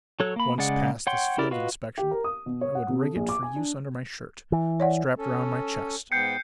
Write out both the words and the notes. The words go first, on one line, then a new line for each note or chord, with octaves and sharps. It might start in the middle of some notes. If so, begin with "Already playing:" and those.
Once past this field inspection I would rig it for use under my shirt, strapped around my chest.
F#3 A4 C#5 F#6
A#3 B5
C#3 G#3 D5 F#5
C#5 F#5 G5 C6
E4 G4 A#4 D5
F4 F#4 B4 D#5 F5
G4
A#4
D#6
B2
C#5
F#5
C3
A4
A#1
D6
G#5
D4
E3
C#5 D5 F#5
C#4 A4
G#2 B3 G5 G6 C7 C#7